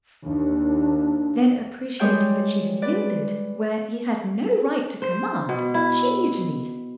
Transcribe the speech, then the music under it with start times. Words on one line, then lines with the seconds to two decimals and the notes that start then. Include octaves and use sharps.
Then, appreciating that she had yielded where he had no right to command, she mutinied.
0.25 D#2 D4
1.99 G3 G#3 G#4 C#5 G5 G6
2.82 B4 D5
5.02 C5
5.49 B2
5.74 E4